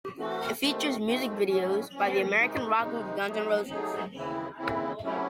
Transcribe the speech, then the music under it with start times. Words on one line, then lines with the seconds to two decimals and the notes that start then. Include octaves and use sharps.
It features music videos by the American rock group Guns N' Roses.
0.18 E3 A3 C4 F#4
0.62 D#2 D#3 A3 C4
1.05 D#2 D#3 A3 C4
1.49 A2 F#3 C#4
1.93 A2 F#3 C#4
2.37 C3 D#3 G#3 D#4
2.81 C3 D#3 G#3 D#4
3.26 C3 F#3 A3 D#4 G#4
3.70 C3 F#3 A3 D#4 G#4
4.14 D#2 C#3 E3 C4 E4
4.57 D#2 C#3 E3 C4 E4
5.01 C3 F#3 A3 C#4 E4